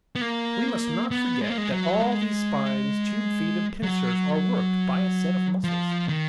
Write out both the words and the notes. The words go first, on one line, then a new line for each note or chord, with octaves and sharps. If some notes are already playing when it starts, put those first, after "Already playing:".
We must not forget that all these spines, tube-feet, and pincers are worked by a set of muscles.
B3
A#3
B3
G#3
A#3
G#3
F#3
G#3
F#3
F3
D#3